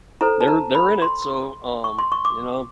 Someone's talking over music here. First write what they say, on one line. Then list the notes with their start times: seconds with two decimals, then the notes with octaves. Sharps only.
they're they're in it. So, um, you know?
0.21 E4 A4 C5 A#5
0.41 A5
0.48 A#5
0.75 B5
1.02 C6
1.84 C#6
1.99 C6
2.12 C#6
2.25 D6